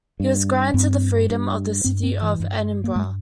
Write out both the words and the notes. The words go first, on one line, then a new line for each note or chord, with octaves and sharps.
He was granted the Freedom of the City of Edinburgh.
G2
G2 C4
G2
G2 C4
C4
E3
G2
A#3
G2 G#3